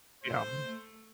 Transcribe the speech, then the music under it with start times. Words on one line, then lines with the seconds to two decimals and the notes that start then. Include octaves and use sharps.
yeah, um
0.24 A3 C5
0.65 A3